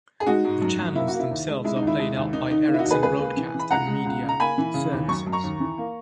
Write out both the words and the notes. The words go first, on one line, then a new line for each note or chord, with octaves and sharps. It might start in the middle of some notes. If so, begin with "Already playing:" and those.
The channels themselves are played out by Ericsson Broadcast and Media Services.
G#4
G#3 D#4 F#4
G#2
F#2
F#2
A#3 E4
F#4
A#3
E4
D#2
G#3
G#3 E4
D#4
D#2
E4
G#3
D#2
D#3 D#4
D#3 D#4
A#3
E4
D#4 F#4
D#2
G#4 B4
C#2 G#4 B4
A#3
E3
E3 B5
C#2 F#5 A#5
G#3
C#2
C#3
A#5
A#3 G#5 B5
E3
C#3
D#2
F#2 C#6
F#2
A#5 C#6
D#2
E3
A#3